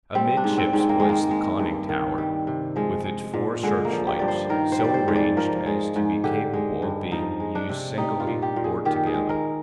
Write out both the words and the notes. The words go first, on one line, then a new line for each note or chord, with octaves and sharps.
Amidships was the conning-tower, with its four searchlights, so arranged as to be capable of being used singly or together.
G3 C4
D4
G#2
C4
G#2
C4
A#3
D#3 G#3
A#3
G#3
G2
D#3
G3
C3
F3 G#3
G#3
A#2
D3 G#3
A#3
F3
G4
G2 D5
C5
D#3 A#4
C5
G3
D5
C5
G#2
D5
F3 A#4
G#3
G#2
D3 G4
G#3
G2
F3 D#4
G#3
D4
C3
G3 D#4
F4
A#2
G4
A#2
G#4
D#3 G4
G#4
G#3
A#4